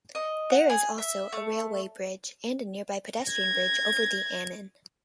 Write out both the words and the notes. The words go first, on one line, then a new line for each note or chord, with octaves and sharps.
There is also a railway bridge and a nearby pedestrian bridge over the Annan.
D#5
F#5
G#4
E5
A3
G#6 A#6